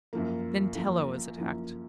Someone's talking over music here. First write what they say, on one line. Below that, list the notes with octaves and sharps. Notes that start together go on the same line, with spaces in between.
Then Tela was attacked.
F#2 F3 A#3
F#2 F3 A#3
F#2 F3 A#3